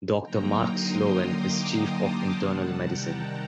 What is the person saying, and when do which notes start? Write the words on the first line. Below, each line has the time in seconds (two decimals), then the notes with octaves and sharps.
Doctor Mark Sloan is Chief of Internal Medicine.
0.23 D3 F#3 A#3 D#4 G5 A#5
0.75 C6 D#6
1.27 A#5 D6
1.79 A5 C6
2.31 C3 D#3 G3 F#5 A5
2.84 G5 A#5